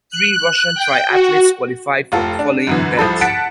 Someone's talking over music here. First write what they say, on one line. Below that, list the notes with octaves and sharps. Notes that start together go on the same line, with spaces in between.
Three Russian triathletes qualified for the following events.
F#6
G5
F#4
F1 F4 A4
D4
F#2 D3 E3
C2 F3 A4 B5
F#5 A5 A6 B6 C#7 D7